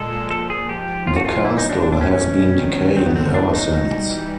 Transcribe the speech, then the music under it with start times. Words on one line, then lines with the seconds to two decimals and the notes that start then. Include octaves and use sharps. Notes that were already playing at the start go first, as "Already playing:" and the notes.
The Castle has been decaying ever since.
Already playing: A#2 G#3 A4
0.12 F3
0.31 A#2 A4
0.50 F3 G#4
0.69 G#2 G4
0.88 F3
1.06 A2 F4
1.16 F#4
1.25 E3 F4
1.44 A2 E4
1.58 D#4
1.63 F#3
1.69 D4
1.82 A2 D4
1.92 D4
2.01 E3 C#4
2.11 C#4
2.21 B2
2.39 G3
2.58 D#3
2.78 F#3
2.96 G2 C4
3.06 B3
3.15 D3 C4
3.34 A2 D4
3.53 F#3 D#4
3.72 B2
3.92 G3
4.10 E3